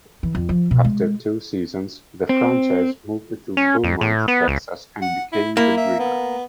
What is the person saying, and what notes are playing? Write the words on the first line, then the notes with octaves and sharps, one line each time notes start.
After two seasons, the franchise moved to Beaumont, Texas, and became the Drillers.
E3
F2
F3
B2
G#3
C4
C#4
F2
A2
B3
C#2
F#5
E4
A#3 E4
E5
B3